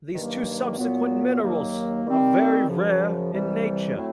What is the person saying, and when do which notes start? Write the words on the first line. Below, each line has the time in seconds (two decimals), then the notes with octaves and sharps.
These two subsequent minerals are very rare in nature.
0.14 G2 D#3 F#3 A#3
0.77 A#2 F#3 B3
1.41 D#2 D#3 F#3 A#3
2.05 D#3 G3 C4
2.68 F#2 C#3 F3
3.32 C2 C3 E3 G3
3.96 A2 F#3 A3 C4 E4